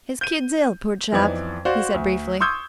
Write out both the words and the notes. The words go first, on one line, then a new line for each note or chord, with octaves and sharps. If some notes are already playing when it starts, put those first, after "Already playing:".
'His kid's ill, poor chap,' he said briefly.
G6 D#7
F2 E3 B3 D#4 D5 G#6
F#4 C5 D5 F5
D2
C6 C#6 D#6 E6 G6 G#6